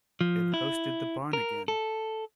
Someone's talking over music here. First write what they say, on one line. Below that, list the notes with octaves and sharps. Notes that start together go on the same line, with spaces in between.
It hosted the Barn Again!
F3
E4
A#4
A4